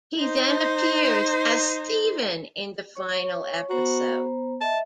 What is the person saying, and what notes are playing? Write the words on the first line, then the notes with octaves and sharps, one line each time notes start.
He then appears as Steven in the final episode.
D#4 C5
C#5 C#6
B3 F#4 C5 A#5
D#5 E5 A5